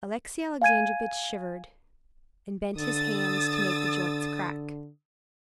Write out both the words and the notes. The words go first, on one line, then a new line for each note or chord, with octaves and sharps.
Alexey Alexandrovitch shivered, and bent his hands to make the joints crack.
F5 G#5 G#6 D#7
D3 D#6 E6 A6